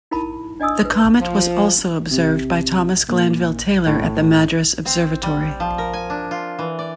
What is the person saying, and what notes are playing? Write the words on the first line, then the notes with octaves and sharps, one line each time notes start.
The comet was also observed by Thomas Glanville Taylor at the Madras Observatory.
D#4 E4 A#4 A5 B5
D4 D5 D#5 G#5 D#6 E6
B4
F3
C3
A#2
A2
C4
G3
F3
A#4
G#5
D4
F4
E3
D5